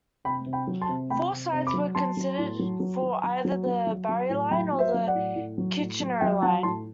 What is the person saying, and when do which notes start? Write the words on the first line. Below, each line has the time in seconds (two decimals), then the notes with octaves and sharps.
Four sites were considered for either the Barrie line or the Kitchener line.
0.25 C3 G5 B5
0.46 C3
0.53 G5 B5
0.67 F#3
0.81 A5 C6
0.89 C3
1.10 C3 G5 B5
1.31 C3
1.52 C3
1.67 B5 D6
1.74 F#3
1.95 F#3 A5 C6
2.17 F#3
2.38 A2
2.59 F#3
2.80 F#3
3.02 F#3
3.23 F#3
3.45 F#3
3.66 F#3
3.87 F#3
4.09 F#3
4.29 A2
4.51 F#3 G5 B5
4.73 F#3
4.79 C5 E5
4.94 F#3
5.07 D5 F#5
5.15 A2
5.36 A2
5.58 F#3
5.78 A2
6.00 F#3
6.21 F#3 E5 G5
6.42 F#3 F#5 A5
6.63 A2 A5 C6